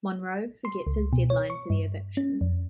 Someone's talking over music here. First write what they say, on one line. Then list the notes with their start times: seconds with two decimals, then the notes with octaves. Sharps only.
Monroe forgets his deadline for the evictions.
0.65 C6
0.87 C#2
1.13 B2
1.30 C#5
1.50 C#6
1.70 G2
2.17 C#4
2.41 F2